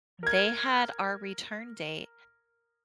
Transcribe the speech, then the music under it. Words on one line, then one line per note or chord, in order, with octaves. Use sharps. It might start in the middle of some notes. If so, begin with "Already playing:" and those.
they had our return date
A#4 G#6